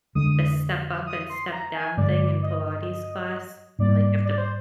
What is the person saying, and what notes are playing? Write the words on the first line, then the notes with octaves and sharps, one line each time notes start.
the step-up-and-step-down thing in Pilates class, and, like, you have to
F2 D3 G#3 D4 D#6
D#6
C6
A#5
G#5
G2 D3 G#3 D5
D#5
G#2 G3 A#3 D5
D5
C5